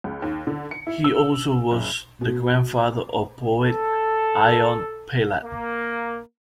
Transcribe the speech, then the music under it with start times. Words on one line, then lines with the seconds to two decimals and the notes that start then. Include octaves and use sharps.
He also was the grandfather of poet Ion Pillat.
0.04 C#2
0.22 D#2
0.47 D3
0.71 C#7
0.87 E4
1.04 E6
1.71 F#1
2.21 B2
3.60 A4
5.43 A#3